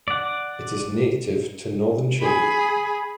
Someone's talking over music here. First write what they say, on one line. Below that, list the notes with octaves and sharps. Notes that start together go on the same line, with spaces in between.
It is native to northern Chile.
D5 F#5
G#4 B5